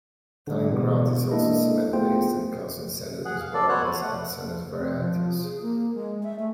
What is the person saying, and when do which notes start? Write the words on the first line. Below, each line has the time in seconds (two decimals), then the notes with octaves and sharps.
Tiling grout is also cement-based, and comes in sanded as well as unsanded varieties.
0.47 D3 G3
0.71 B2 E3 B3
1.31 G#3 A#3 D4 E4 A4 D#5
1.93 A3 B3 F4 G#4 C5 G5
3.25 G#4 F#5
3.40 F5
3.54 A4 D5
3.69 B3 F#4 C5 C#5 F#6
3.84 B4
4.01 A3 F#5
4.79 C4
4.99 F3
5.43 G#4
5.62 A#3
5.94 G#3
6.23 E5
6.39 A3